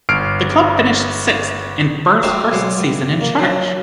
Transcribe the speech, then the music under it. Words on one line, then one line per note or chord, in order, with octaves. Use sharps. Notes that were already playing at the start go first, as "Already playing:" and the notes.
The club finished sixth in Burr's first season in charge.
G1 F6 C7 D7
G3 D#4 F#4 C5 D5 E5
B1 G#3 C5 D5 F#5
G2
A#3
F3 F#3